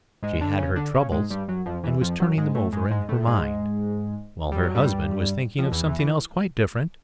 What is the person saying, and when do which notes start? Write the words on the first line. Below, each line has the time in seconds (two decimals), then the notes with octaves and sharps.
She had her troubles, and was turning them over in her mind, while her husband was thinking of something else quite different.
0.23 G#2 G#3
0.41 D3 D4
0.59 C#3 C#4
0.76 D3 D4
0.94 C#3 C#4
1.12 G#2 G#3
1.30 G2 G3
1.48 F#2 F#3
1.66 F2 F3
1.83 E2 E3
2.01 F2 F3
2.20 F#2 F#3
2.37 G#2 G#3
2.55 A2 A3
2.73 G#2 G#3
2.91 G#2 G#3
3.09 A2 A3
3.27 G#2 G#3
4.52 G3
4.63 F#3
4.75 G2 G3
5.58 F2 F3
5.72 E2 E3
5.85 E2 E3
5.99 E3